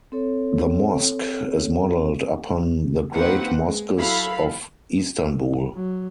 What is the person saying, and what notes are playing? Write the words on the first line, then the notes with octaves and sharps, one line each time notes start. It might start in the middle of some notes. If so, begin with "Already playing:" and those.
The Mosque is modelled upon the great mosques of Istanbul.
C4 A4 C#5
D#3 A#3 C4 B4 F#5
G#3
F#3 E4 A4 F5 B5
F#3